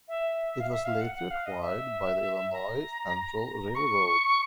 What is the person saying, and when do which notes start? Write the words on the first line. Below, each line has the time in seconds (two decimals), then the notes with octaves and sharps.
It was later acquired by the Illinois Central Railroad.
0.08 E5
0.60 F5
0.70 E5
0.85 F5
1.01 F#5
1.15 F#5
1.30 F5
1.46 D#5
1.61 E5
2.53 A#5
3.75 C#6